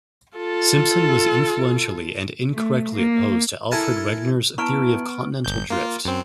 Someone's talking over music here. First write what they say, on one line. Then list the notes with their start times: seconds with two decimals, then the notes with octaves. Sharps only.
Simpson was influentially, and incorrectly, opposed to Alfred Wegener's theory of continental drift.
0.37 F4 A4
2.54 A3
2.93 A#3
3.71 E4 A4 A#4 G#5 A5
4.58 B3 E4 A5 A#5 C#6 F6 D7
5.45 G1 G6
5.70 A#3 F4
6.05 F#2 C4